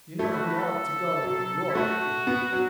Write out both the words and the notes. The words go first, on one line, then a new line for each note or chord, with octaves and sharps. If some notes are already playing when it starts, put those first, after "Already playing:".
"You know you are to go New York with me?"
A3 E4
F#4
B4
A4
F#3
E4
A3 F#4
B3
F#3